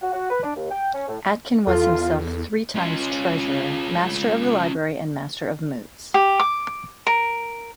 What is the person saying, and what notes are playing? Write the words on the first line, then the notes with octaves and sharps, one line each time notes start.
Atkin was himself three times Treasurer, Master of the Library and Master of Moots.
F#4
F#4
B4
D4
D#2
G5
C#4
A2
E2 F4 A4
C#4 F4
G4
D6
A#4